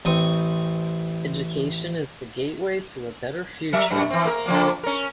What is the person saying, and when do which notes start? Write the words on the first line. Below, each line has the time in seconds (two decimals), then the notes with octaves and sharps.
Education is the gateway to a better future.
0.05 A1 C4 C#6 D#6
3.73 F#3 A#4 E5
3.90 F#2
4.10 E3 C4
4.25 A#3 A#4
4.46 C#3 F3 A#3
4.83 C#4 A#4